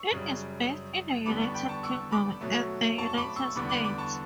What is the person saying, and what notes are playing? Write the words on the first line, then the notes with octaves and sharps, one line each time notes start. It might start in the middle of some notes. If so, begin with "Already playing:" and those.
It is based in the United Kingdom and the United States.
Already playing: C#6 E6
F#2 C#3 G3
E2 D3 G3 B3 B5 D6
A5 C#6
G5 B5
A5 C#6
C#6 E6
B5 D6
B2 F#3 A3
A5 C#6
C#6
B5 D6
C#6 E6
E2 D3 G3 B3 B5 D6
B5 D6
B5 D6
A5 C#6